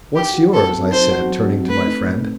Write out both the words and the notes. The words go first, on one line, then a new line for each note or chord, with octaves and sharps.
"What's yours?" I said, turning to my friend.
D#4 G4
F#4
F#3 A4
C4
D#4 C5
F#4
F#3
C4
A3 B4
D#4
A2